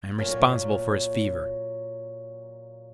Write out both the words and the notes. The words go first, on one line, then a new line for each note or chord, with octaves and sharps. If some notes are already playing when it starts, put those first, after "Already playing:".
I am responsible for his fever.
A#2 F#3 A4 C#5